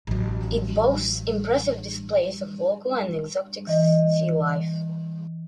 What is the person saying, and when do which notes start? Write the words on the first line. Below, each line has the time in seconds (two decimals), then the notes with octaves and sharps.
It boasts impressive displays of local and exotic sealife.
0.07 A1 F#3
3.67 E3 D#5